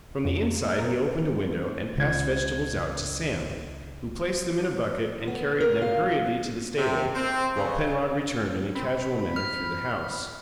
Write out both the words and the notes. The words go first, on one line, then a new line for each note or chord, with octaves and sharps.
From the inside he opened a window and passed vegetables out to Sam, who placed them in a bucket and carried them hurriedly to the stable, while Penrod returned in a casual manner through the house.
F2
A#4
C#2 G#6
B3
A#4
F5
C3
C4
C#3
C4 B5
F6